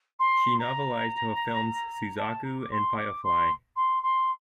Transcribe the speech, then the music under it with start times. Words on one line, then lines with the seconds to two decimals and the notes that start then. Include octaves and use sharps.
She novelized her films "Suzaku" and "Firefly".
0.19 C6
0.59 A#5
2.18 A5
2.44 A#5
2.60 D6
2.71 C6
2.97 D6
3.23 C6
3.76 C6
4.03 C6